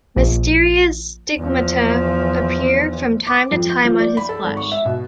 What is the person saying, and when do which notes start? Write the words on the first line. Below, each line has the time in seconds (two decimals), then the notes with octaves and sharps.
Mysterious stigmata appear from time to time on his flesh.
0.16 A#1
1.38 E2 F3
3.27 D6
3.51 F2
3.70 G6
3.85 F3
4.00 D5
4.17 B5
4.29 A4
4.44 G#1
4.57 C#6
4.72 E5
4.85 B2